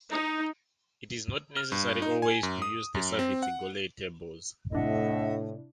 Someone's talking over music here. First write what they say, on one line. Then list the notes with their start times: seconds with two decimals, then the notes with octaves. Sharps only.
It is not necessary always to use the Savitzky-Golay tables.
0.10 D#4
1.57 F6
1.72 G2
2.02 D#4
2.22 G#5
2.43 F#2
2.62 D#6
2.95 F#2
3.19 C4
3.43 F#5
4.73 A2 C3 D4 E4 D#5 E5 F#5